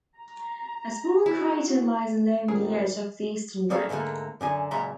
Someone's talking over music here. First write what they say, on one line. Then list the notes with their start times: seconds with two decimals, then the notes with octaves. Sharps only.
A small crater lies along the edge of the eastern rim.
0.18 A#5
1.26 E4 F#4 G#4
2.48 F2 A#2 D#3 G3 C#4 G#4 A#4
3.70 G3 A#3 G#4 A4 C#5 F5
3.89 G#2 D3 G3 A3 A#3
4.41 F#2 D3 G#5
4.71 C#2 A#2 F#3 E5 A#5 C6